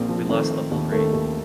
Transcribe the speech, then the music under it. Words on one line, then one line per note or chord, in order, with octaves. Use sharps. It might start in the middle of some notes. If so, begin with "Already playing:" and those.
We lost the whole grain.
Already playing: A#1 A#2 A#3 C4
F3
D#3 A3 C4
D#3
D#2
D#3 A3
D#2